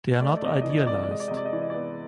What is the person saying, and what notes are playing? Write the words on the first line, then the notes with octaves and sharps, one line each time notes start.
They are not idealized.
A3 D5
D#5
D5
C3 D#5
D5
E3 D#5
D5
D#5
C3 D5
D#5
D5
G#3 D#5
D5
C3 D#5
D5
D#5
E3 D5
D#5
B3 D5